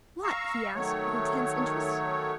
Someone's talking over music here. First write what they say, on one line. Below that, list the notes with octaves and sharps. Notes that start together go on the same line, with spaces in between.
"What?" he asked, with intense interest.
F5 A#5 C#6 E6
D#3 F#3 A3 C#5